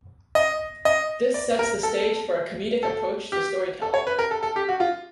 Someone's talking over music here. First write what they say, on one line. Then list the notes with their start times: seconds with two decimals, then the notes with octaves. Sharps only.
This sets the stage for a comedic approach to storytelling.
0.35 D#5
0.85 D#5
1.34 D5
1.59 A#4
1.83 A4
2.83 A4
3.32 G4
3.82 A4
3.94 C#5
4.07 B4
4.19 A#4
4.31 A4
4.43 A4
4.56 G4
4.69 F#4
4.80 F4